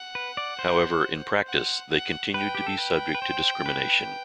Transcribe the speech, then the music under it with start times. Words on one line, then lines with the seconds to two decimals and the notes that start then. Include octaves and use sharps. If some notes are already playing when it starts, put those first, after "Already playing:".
However, in practice, they continued to be subject to discrimination.
Already playing: F#5
0.15 B4
0.37 D5
0.59 C5
1.47 F#5
1.91 F#5
2.34 B4 G5
2.55 G4
2.67 A4
2.78 B4
3.15 B4
3.22 C5
3.66 B4